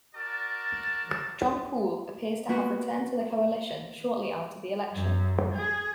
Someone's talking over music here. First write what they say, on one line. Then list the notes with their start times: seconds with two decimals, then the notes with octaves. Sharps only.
John Poole appears to have returned to the coalition shortly after the election.
0.14 F#4 A#4 D5 A5
2.49 A#3 B3 F#4
4.93 F#2
5.56 G#4